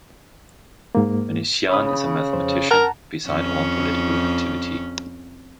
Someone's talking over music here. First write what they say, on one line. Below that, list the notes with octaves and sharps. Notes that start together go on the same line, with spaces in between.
Venetiaan is a mathematician beside all political activity.
G#2 A#3
C#3 C#5 B5 D#6
F2 C5
A#4 F#5 A5 A#5
F2 C#4